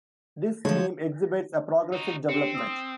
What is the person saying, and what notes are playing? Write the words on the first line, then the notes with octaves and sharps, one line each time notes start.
This scheme exhibits a progressive development.
D3 F3 G#3 A3 C#5
D#4 F#4
C4 D4 G4 C#7
C6 D#6 E6